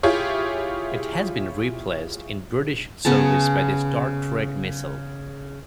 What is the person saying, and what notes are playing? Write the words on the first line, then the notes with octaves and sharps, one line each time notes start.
It has been replaced in British service by the Starstreak missile.
E4 F4 G4 G#4 C#5
C#3 B3 G#4 A5